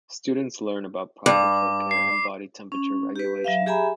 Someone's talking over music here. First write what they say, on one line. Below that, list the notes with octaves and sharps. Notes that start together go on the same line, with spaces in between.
Students learn about proper foot care and body temperature regulation.
G2 D6
C7
C#4
G4 B4
F#3 E5 F5
G4 G#4 E5 G#5 A#5 B5